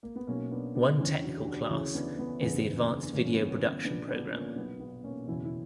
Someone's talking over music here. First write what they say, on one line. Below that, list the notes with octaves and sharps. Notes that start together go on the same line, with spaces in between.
One technical class is the advanced video production program.
A#3
B3
B1 B2 A#3 C#4
B3 D4
B3 D4
F#1 E2 D3 C#4 E4
D4 F#4
G4
D4 F#4
D2 C#3 E3 C#4 E4
B3 D4
B3
F#1 E2 D3 B3
B3
D4
G1 G2 E3 A#3 C#4
C#4
B3
C#4
B3
B3
A#1 A#2 B3 D4
B3 D4
A#3 C#4
B1 B2 B3
B3
A#3 C#4
F#1 E2 B2 C#4 E4
E4